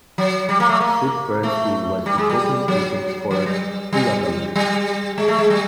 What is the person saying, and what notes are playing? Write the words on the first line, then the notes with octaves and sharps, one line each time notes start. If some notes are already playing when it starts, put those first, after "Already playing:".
Sid Bernstein was the booking agent for Hullabaloo.
F#3
G3
A#3
A3
A#3
A3
G3
G#3
G3
F#3
F#3
G3
G3
G3
G#3
A3
G#3
G3